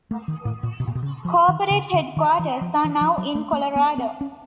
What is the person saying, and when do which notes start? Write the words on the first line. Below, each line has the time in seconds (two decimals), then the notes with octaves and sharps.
Corporate headquarters are now in Colorado.
0.11 A3
0.28 D#3
0.45 A2
0.63 A#2
0.80 B2
0.88 A#2
0.95 B2
1.03 C#3
1.25 F3
1.48 D#3
1.71 C#3
1.94 D3
2.17 D#3
2.39 E3
2.61 F3
2.84 E3
3.01 F3
3.18 F#3
3.35 A3
3.53 A#3
3.76 B3
3.98 C4
4.21 C#4